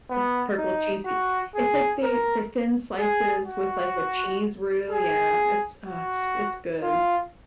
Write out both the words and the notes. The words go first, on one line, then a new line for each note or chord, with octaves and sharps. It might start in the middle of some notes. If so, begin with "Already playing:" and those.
T purple cheesy. It's, like, they, the thin slices with like a cheese roux, yeah, it's, uh, it's good.
B3
D#4
F#4
G#4
A#4
G#4
F#4
G#4
F#4
F4